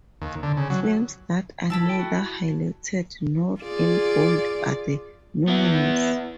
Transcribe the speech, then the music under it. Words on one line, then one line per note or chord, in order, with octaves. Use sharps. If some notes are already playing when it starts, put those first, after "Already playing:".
Films that are neither highlighted nor in bold are the nominees.
D#2
D3
C#3
F#3
F3 E4 A5 B5
A4 G5
F#4
F4 G#4 D5
B3 E4